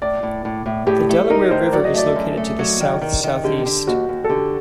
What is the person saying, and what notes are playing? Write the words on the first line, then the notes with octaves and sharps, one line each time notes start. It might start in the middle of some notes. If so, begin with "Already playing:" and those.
The Delaware River is located to the south-southeast.
A2 D5
A2
A2
A2
A2 G4
A3
D#4 A#4
A2 C5
F#3 D5
D#5
A3 D5
F#2
A3
F#3
D#3
D#3
D#3
D3 G4
D3
D#2 F#4
D#2
A4
D3 G4